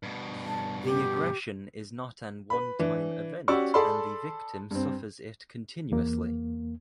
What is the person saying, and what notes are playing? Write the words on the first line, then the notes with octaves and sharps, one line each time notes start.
The aggression is not an one-time event and the victim suffers it continuously.
G2 B2
A5
G4
B4 B5
E3 D4
C#4 F#4 G4 D5 C#6 E6
G#4 A4 D5 A5 B5 C6
G2 C4
E2 A#3